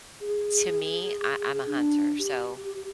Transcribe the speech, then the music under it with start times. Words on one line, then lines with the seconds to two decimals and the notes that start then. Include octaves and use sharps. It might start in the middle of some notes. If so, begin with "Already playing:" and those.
to me, I I'm a hunter, so,
0.21 G#4
1.46 G#4
1.67 D4
2.19 G4